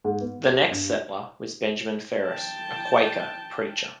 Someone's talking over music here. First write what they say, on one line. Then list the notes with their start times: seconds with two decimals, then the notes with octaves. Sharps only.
The next settler was Benjamin Ferris, a Quaker preacher.
0.04 G#2
0.21 B3
0.51 G4
0.71 G2
2.21 G5 A5